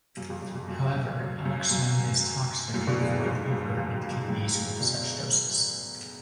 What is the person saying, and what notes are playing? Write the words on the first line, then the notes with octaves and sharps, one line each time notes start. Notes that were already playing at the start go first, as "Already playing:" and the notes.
However, alloxan is toxic for the liver and kidneys with such doses.
F#2
F2
F#2
F2
F#2
F#2
F#2
F#2
F#2
F#2 A2
B2 D3
A2 C#3
F2 G#2
F#2
F2
F#2
F2 G#2
F#2 A2
A2 C#3
B2 D3